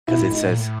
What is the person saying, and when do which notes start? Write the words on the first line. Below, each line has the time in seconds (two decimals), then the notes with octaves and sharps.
'cause it says,
0.08 B2 E4
0.19 A2 E4
0.30 G#2 D#4
0.41 A2
0.49 A#2
0.57 A2